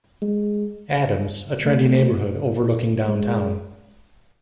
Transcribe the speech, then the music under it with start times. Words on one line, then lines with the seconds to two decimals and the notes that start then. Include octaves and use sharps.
Adams, a trendy neighborhood overlooking downtown.
0.22 G#3
1.65 A3
3.08 G#3